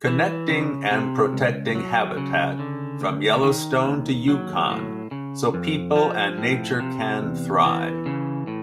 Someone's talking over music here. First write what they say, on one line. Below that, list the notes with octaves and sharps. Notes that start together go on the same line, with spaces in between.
Connecting and protecting habitat from Yellowstone to Yukon so people and nature can thrive.
E3
C#3
C3
C#2
F#3
C#3
D3
D2
D#3
D#2
F#3
A2
C#3
F2
F3
A2
C3
E2
E3
C#3
A2